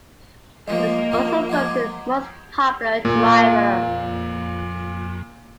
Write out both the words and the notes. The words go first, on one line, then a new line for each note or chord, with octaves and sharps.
He was also voted Most Popular Driver.
F3 G#3 A#3 D#5
F3
F3 G#3 F#5 D6 G#6
A#2 A#3